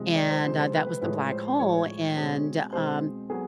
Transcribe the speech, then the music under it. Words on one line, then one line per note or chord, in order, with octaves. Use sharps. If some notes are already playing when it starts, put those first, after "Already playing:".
and, uh, that was the black hole, and, um,
Already playing: C3 F3 G#3
D5
C5
C3 F3 G#3 C5
C5
B4
B4
A2 F3 G#3 B4
C5
A2 F3 G#3 C#5
B2 G#3 C4
B2 G#3 C4 C5
F#3 B3 G#4